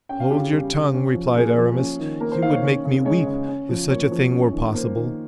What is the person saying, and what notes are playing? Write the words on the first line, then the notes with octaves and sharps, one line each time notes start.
"Hold your tongue," replied Aramis; "you would make me weep, if such a thing were possible."
C#4 G5
F5
C#3 G4
G4
G3
C#3
C#4
F3
A#3 G#4
F3
C#4
D#3
A#3 A#4
C5
D#3 F5
C#5
C#4
C#3
G#3 C#5
C#3
C#4
F3
A#3 C#5
F3
C#4
D#3
A#3 C5
D#3